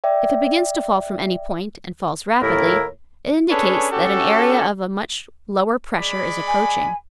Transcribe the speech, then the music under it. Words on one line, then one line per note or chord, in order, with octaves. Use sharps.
If it begins to fall from any point, and falls rapidly, it indicates that an area of a much lower pressure is approaching.
D5 E5 G5
D#2 A2 E4 A#4
C#4 D4 G#4 A4 B4 C#5
C#4 F#4 G4 A4
G#3 D5 B5
G#5